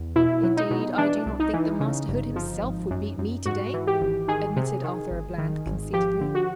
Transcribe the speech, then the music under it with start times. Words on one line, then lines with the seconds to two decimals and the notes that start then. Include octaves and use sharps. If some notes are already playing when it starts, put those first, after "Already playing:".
"Indeed, I do not think that Master Hood himself would beat me to-day," admitted Arthur-a-Bland, conceitedly.
Already playing: E2
0.16 B2 E4
0.43 F#3
0.57 D#4
0.70 B2
0.98 E3 D4
1.26 C2
1.40 D#4
1.53 E3
1.80 C#3
2.08 G1
2.36 F3
2.63 G#1
2.91 F#2
3.18 F#2
3.46 G#2 F#4
3.73 E3
3.87 G4
4.01 G#1
4.28 D#3 G#4
4.56 C3
4.84 D#3
5.11 G#1
5.38 D#3
5.66 G#1
5.93 F3 G4
6.21 D3
6.35 F#4